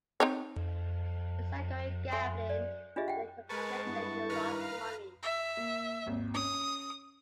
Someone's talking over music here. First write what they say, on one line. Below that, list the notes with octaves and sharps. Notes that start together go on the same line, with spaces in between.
It's like going gambling and then complaining that you've lost money.
C4 D#4 C#5
A4 E5 G#5 C6 D#6
D5
D4 F4 G4 G#4 D#5 E5
F#5 G5
G#3 A#4 B4 G#5 A5 C#6
G2 B3 E4
D#3 B4 C#5 A#5 F6
F5
E5
A#3
G#1 D#2
C#4 D#6